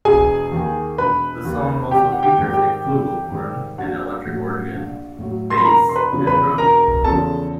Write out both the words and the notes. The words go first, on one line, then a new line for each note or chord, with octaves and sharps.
The song also features a flugelhorn, an electric organ, bass, and drums.
E1 G#4 G#5
D#2 D#3
E1 B4 B5
D#2 D#3
G#1 G4 G5
F#5
G4 G5
G#2 D#3 G3
G4 G5
G#1
G#2 D#3 G3
A#1 F#4 F#5
A2 F#3
A#1
A2 F#3
C6
B5
E1 A#4 A#5
C6
B4 B5
E2 C#3 F3
B4 B5
E1 A#4 A#5
E2 C#3 F3 A4 A5